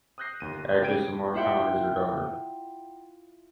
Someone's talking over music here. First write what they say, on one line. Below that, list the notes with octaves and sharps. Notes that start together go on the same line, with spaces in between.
Actress Amar Khan is her daughter.
D#6 E6 F#6 G6 A#6 C7
G1 D#2 D#7
C#3 G4 G5 G#6 D7 D#7
E4 F4 E5 F#5 G5